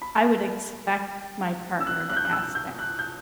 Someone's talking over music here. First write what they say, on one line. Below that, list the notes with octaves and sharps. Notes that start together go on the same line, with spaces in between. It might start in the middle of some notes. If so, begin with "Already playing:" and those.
I would expect my partner to ask that.
B5
E6
F#6
F#6
G6
F#6
E6
G6
F#6
G6